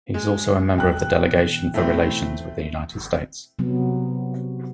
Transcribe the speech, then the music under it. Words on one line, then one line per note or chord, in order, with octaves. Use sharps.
He is also a member of the Delegation for relations with the United States.
G#3
A1 E2 F#3 G5 F#6
B2 E3 B3
A2 A3 C4
C3 F#3 B3